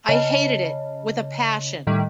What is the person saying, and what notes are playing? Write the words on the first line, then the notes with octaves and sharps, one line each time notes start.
I hated it with a passion.
C#3 C#5 D#5 A5
A2 D#3 G3